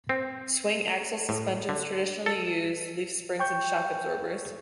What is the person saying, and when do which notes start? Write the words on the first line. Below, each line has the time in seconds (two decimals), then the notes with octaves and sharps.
Swing axle suspensions traditionally used leaf springs and shock absorbers.
0.09 C4
1.29 A2
1.69 D3
2.26 A4
3.40 G5 C#6 G6